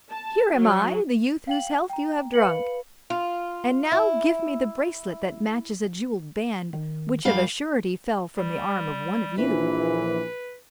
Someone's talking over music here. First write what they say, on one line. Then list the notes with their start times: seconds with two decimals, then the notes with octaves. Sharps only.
'Here am I, the youth whose health you have drunk; and now give me the bracelet that matches a jewelled band which of a surety fell from the arm of one of you.
0.11 A5
0.54 F#3
1.47 F5 G5 F#7
1.90 G5 A#5
2.34 B4 F5 C#7 F#7
3.10 F4
3.92 E4
6.73 D#3
7.25 F#2 G3 F5
8.37 G3
9.38 A#1 E3 B4